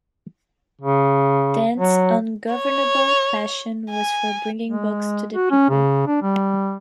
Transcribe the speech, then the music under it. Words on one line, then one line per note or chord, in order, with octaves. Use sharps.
Dent's ungovernable passion was for bringing Books to the People.
C#3
F#3
C#5
G#5
G#3
F#4
C#4
C#3
D4
G3